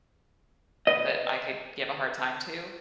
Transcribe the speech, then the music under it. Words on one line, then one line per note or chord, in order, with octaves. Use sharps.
that I could give a hard time to
B4 D#5